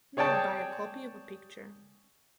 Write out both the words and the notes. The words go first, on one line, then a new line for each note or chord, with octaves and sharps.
Never buy a copy of a picture.
G#4 C#5 D5 G5 A5